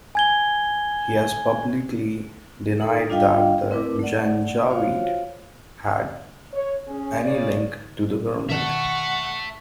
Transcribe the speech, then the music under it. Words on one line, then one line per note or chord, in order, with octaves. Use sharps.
He has publicly denied that the Janjaweed had any link to the government.
G#5 G#6 G7
D#4 A4 A#4
G3 D4 F4 D#5 F5 G5
A3 C4 E4 A#4 B4 D6
A3 D5 F#5
F4 F#4 C5 C#5 F5
C#5
C#4 G#4
C#3 C#5 D5
B2 D#3 E5 F#5 A5 C#6